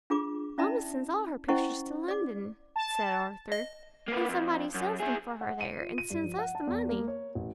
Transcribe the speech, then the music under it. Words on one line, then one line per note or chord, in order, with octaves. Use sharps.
'Mamma sends all her pictures to London,' said Arthur; 'and somebody sells them for her there, and sends us the money.'
D4 F4 G#4 B5 D6
C#4 E4 D5 E5 A5 B5
C#4 E4 C5 D#5 F#5 C#6
D5 D6
A5
D#5
A#3 B4
F2
F#2
E4 G#4
F#5
D#7
F4
D#7
G2
F3
F#5
A5
E2
A#3
C#5
A1